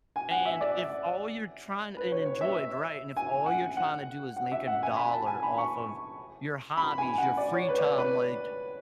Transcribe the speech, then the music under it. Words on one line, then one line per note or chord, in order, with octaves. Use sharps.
And if all you're trying and enjoyed, right, and if all you're trying to do is make a dollar off of your hobbies, your free time like,
G#5
F#5
E5
D5
B4
C#5
C#5
E5
G#5
F#5
F#5
F#5
E5
F#5
G#5
B5
A5
G#5
B5
C#6
B5
G#5
F#5
D5
C#5
B4
D5
C#5
B4